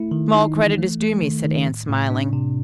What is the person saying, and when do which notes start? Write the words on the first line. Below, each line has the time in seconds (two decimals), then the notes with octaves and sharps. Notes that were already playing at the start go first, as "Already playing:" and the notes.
"Small credit is due me," said Anne, smiling.
Already playing: A3 E4
0.11 D#3
0.34 D#4
0.55 E3
0.78 A3
1.00 A3
1.22 D#3
1.45 D#3
1.66 A2
1.89 A2
2.10 D4
2.33 C3